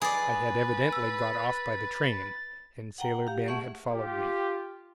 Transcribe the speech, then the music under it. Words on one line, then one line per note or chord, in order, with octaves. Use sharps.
I had evidently got off by the train and Sailor Ben had followed me.
G#4 B4 D5 G#5 A6
E6
F#5 G5 A#5
G4 F5
A3 G#4 E5 F#5 C#6
F4 G4